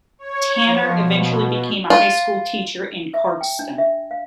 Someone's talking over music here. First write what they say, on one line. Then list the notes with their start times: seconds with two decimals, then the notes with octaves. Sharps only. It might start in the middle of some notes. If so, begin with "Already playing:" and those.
Tanner eventually became a high school teacher in Cardston.
0.19 C#5
0.65 F3
0.97 B2
1.90 F4
3.14 E5
3.41 G5
3.59 D4
3.78 E5
4.11 F5